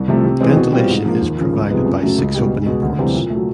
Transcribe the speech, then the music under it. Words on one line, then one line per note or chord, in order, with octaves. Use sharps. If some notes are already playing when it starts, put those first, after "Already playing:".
Ventilation is provided by six opening ports.
Already playing: C2
C3 F3 A3
C3
E3 G#3 C4
B2
G3 C4 F4
G#2
F3 A#3
D#2
C#3 F3
C#2
C3 F3 G#3 B3
F#2
C#3 F#3 A3
C#2
B2 G3
C#2
B2 G#3
D2
C3 E3 G3 C4
A#2
F#3 A3